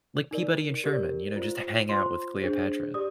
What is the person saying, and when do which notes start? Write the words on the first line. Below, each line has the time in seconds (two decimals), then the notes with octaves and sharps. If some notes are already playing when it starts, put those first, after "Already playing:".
Like, Peabody and Sherman, you know, just hang out with Cleopatra.
0.31 D#4 A#4 D5
0.84 G4 A#4 D5
1.36 F4 C5
1.89 F4 C5 C6
2.42 D4 G#4 C5
2.94 G4 D5 D#6